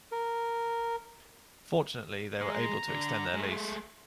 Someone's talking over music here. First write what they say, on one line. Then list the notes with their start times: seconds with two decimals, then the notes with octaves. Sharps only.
Fortunately, they were able to extend their lease.
0.12 A#4
2.41 G#3 A#5
2.89 D3
3.34 G#3 A3